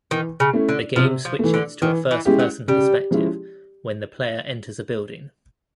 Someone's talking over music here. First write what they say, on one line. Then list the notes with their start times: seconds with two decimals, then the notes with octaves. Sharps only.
The game switches to a first-person perspective when the player enters a building.
0.11 D#3 E3
0.40 C#3
0.53 A3 C#4 E4
0.69 D3
0.96 C3 F3
1.25 F3
1.39 E3 A3
1.54 D3
1.82 D#3 E3
2.11 E3
2.25 G#3 C#4 E4 G4
2.39 F#3
2.68 C#3 G3
3.11 F3 G#3 C#4 E4